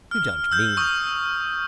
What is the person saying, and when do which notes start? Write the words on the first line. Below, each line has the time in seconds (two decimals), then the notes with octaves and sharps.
"You don't mean--?"
0.11 F6
0.51 E6 G6
0.77 C#6 D#6 E6 G6